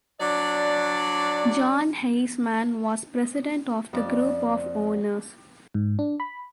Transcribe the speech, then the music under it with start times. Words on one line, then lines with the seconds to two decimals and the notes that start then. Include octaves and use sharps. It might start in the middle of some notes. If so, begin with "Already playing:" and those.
John Heisman was president of the group of owners.
0.20 F#3 D4 D5
3.93 F2 D5
5.74 G#2
5.99 D4
6.20 B5